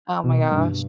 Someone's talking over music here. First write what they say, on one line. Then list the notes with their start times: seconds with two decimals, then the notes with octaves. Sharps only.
Oh my gosh.
0.24 B2
0.51 G2